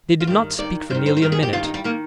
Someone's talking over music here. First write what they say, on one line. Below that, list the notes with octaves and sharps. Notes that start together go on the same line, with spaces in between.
They did not speak for nearly a minute.
F4
G2 D#3 G4
G2 D#3 D5
G2 D#3 C5
C5
C5
G2 D#3 A#4
G#4
G4
G2 D#3 F4
D#4
G3
D#3 A#3